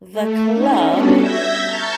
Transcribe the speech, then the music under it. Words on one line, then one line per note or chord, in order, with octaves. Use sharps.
the club,
A3
C#4 D#4
G3 B3 C#4 D4 F#4 A4
E5 E6 G6 G#6 A#6 B6
A5 A#5 C#6 F6 G6 A6